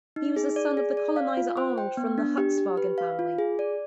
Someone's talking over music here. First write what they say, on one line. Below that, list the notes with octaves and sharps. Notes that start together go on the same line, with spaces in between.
He was the son of the colonizer Arnold from the Huckeswagen family.
D#4
G#4
D5
G#4
D5
F5
F4
C5
G5
B3
D4
G4
G4
B4
F5
F4
G#4
D5